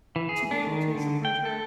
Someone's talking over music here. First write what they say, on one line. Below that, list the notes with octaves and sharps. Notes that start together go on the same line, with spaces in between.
to be able to use the printer.
E3
G#4
D4
D#3
D3
G5
A4